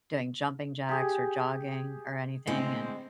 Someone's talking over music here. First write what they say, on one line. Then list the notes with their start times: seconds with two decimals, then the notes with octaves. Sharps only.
doing jumping jacks or jogging or anything and
0.89 G4 G#4
2.47 A2 D3 G#3 C4